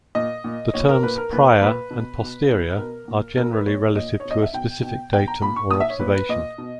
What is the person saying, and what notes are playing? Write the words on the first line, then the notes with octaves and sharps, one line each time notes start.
The terms "prior" and "posterior" are generally relative to a specific datum or observation.
A#2 D#5
A#2
A#2 C#5
A#4
A#2 B4
A#4
A#2 B4
A#2 B4
B2
B2
B2
B2 A#4
A#2
A#2 A#4
B4
A#2 C#5
A#2 D#5
C#5
B2
D#5
E5
B2 G5
B2
B2 G5
A#5
A#2 B5
C#6
A#2 D#6
E5
C#5
A#2 B4
B4
A#2 D#5
B2